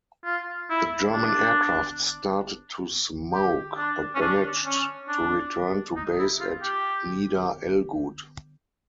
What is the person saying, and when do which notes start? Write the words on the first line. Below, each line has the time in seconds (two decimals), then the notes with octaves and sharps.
The German aircraft started to smoke, but managed to return to base at Nieder-Ellguth.
0.25 F4
0.70 E4
1.13 D4
3.33 G4
3.77 D4
4.15 C#4
4.21 D4
4.65 C#4
5.08 D4
5.96 D#4
6.19 E4
6.40 F4
6.62 G4